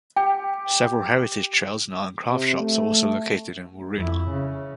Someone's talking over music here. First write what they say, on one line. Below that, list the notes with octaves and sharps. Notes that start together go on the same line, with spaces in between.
Several heritage trails and art and craft shops are also located in Waroona.
G4 G5
C3
A3
F2 E4
C#3